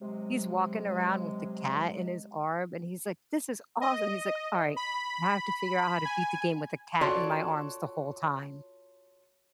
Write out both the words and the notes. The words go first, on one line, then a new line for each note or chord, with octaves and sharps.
he's walking around with the cat in his arm, and he's, like, "This is awesome." He's, like, "All right, now I have to figure out how to beat the game with a cat in my arms the whole time."
C3 F#3 G#3
D#5
B5
G#5
F4 F#4 A4 C#5 D5